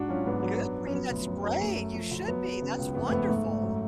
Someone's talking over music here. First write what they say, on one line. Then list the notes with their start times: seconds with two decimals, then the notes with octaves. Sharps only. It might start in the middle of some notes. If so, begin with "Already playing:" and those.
Good for you, that's great, you should be, that's wonderful.
Already playing: G#2 D4 F#4
0.09 F#3 C#4 F4
0.26 G#2 B3 D4
0.43 F#3
0.60 F#2
0.77 F3
0.87 C#4
0.93 F#3 B3
1.10 D2
1.27 F#2
1.44 F#2
1.61 F#2 A3
1.77 F#2
1.94 F3
2.11 D2
2.28 F#3 B3
2.45 F#3
2.62 C#3
2.78 C#2
2.95 F2 B3
3.07 A3
3.11 F2 B3
3.29 G#2 A3
3.46 G#2
3.62 F#2